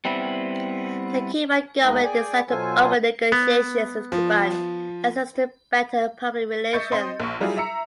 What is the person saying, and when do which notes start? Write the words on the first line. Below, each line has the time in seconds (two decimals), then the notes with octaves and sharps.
The Cuban government decided to open negotiations with Cuban exiles to better public relations.
0.05 G3 B3 C4 E4
1.83 D2 G#3 A#3 D#4 B4 D#5
2.03 G#4 D5 G5 G#5
2.49 B2 F#3 F4 A4 C5 G#5
3.32 B3
4.12 F3
6.73 D#5 E5 C#6 G6 A6 C#7
6.91 C4 D#5 C6
7.20 A#1 C#6
7.40 F#3 G3 E4 F4 G#4
7.57 E5 A#5 E6 C#7